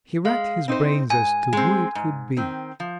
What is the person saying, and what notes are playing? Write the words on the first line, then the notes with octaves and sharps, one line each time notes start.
He racked his brains as to who it could be.
G#3 F5
C4 D#4 C5
G#2 G#5
G#3 C4
G#2
D#3 C4
F3